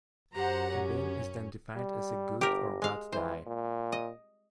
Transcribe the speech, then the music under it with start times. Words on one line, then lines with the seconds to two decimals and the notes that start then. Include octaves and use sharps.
A bin is then defined as a good or bad die.
0.35 F#2 G4 C5 F#5 A#5
0.72 C#4
1.76 G3
2.41 G1 G4 A#4
2.82 G#3 F5
3.12 E3 C5
3.46 A#2
3.92 D#5